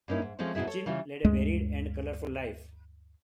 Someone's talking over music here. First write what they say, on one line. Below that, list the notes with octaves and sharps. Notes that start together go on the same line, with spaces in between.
Kitchin led a varied and colourful life.
G2 A#3 C#4 D#4 E4
G#2
F3 G#3 A3 C4 C#4
G#2 B2 E4 G#4 E5
A4 C#5
C#3 E3 G3 F4
D2 G2 G#3